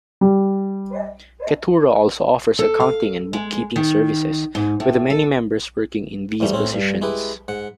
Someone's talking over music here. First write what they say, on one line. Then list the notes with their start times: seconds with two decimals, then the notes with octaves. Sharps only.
Ketura also offers accounting and bookkeeping services, with many members working in these positions.
0.21 G3
2.59 A4
2.80 F5
3.33 G#3
3.76 D#3
4.55 G#2
4.80 A2
5.10 A4
6.40 E2 G#2 G3 A3
6.53 A2 C4 C#4
6.74 G2
7.02 G#3 E4 G4 B4
7.48 G#2 F#5